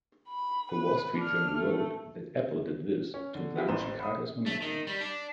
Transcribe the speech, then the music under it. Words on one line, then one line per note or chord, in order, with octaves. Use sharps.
"The Wall Street Journal" wrote that Apple did this to "blunt Chicago's momentum".
B5
B4
D4 F6
A3
C#4
D3
B3 F4 G4
A1 E4 B4 C5 A#5 E7
B5 D#6
A3
D#3
G3
D4